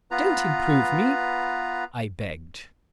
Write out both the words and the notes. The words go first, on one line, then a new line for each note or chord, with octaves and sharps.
"Don't improve me," I begged.
B3 F4 B4 A#5